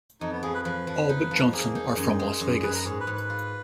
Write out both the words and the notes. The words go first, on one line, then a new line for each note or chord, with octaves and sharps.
All but Johnson are from Las Vegas.
F2 D#4
B3
F3 G#4
B4
F3 B4
F3
D#4
F3
A#3 G#4
D#4
F#2
G#3
F#2
F#2 B4
A#4
G#2 G#4
B4
G#2
B4
F4